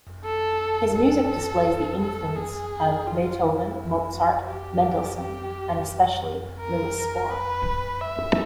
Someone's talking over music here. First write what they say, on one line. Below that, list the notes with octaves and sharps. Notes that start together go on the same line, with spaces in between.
His music displays the influence of Beethoven, Mozart, Mendelssohn and, especially, Louis Spohr.
A4
A4
A4
G#4
F4
E4
F#4
G4
G4
A#4
B4
E5